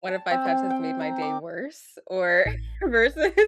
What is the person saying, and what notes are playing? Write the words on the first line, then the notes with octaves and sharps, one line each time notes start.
one of my pets has made my day worse, or versus
A5
C4
C4
G5
A#5
D6
A1